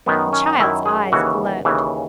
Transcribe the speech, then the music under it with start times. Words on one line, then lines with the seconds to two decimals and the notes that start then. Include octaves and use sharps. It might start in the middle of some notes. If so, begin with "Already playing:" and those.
The child's eyes glowed.
0.06 F#2 D#3 B3
0.33 C#4
0.60 F#2 D#3 E4
0.86 G#4
1.12 D#2 C#3 E3 F#4
1.65 D#2 C#3 E3